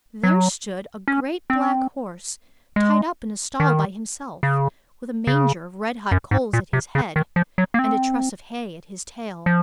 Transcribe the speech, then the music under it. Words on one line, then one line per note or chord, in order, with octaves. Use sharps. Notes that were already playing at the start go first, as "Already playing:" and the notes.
There stood a great black horse tied up in a stall by himself, with a manger of red-hot coals at his head and a truss of hay at his tail.
F#3
C#4
C4
G#3
D#3
C#3
C#3
F#2
G#2
A#2
C3
C#3
D#3
F3
F#3
A#3
C4
F3